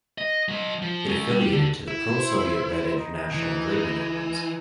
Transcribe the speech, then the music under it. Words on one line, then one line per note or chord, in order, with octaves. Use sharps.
It affiliated to the pro-Soviet Red International of Labour Unions.
D#5
F#3 D#5
F3
G#3 C#4
G3
D3
E4
C5
D#4
E3